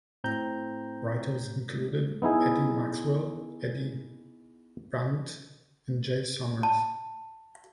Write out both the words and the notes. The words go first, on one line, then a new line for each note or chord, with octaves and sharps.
Writers included Eddie Maxwell, Eddie Brandt and Jay Sommers.
A2 C4 A#5 G6
B3 D#4 E4 G#4
A5